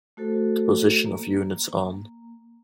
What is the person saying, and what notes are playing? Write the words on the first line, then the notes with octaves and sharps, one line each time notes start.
The position of units on...
A3 F#4 A4 C5
A#3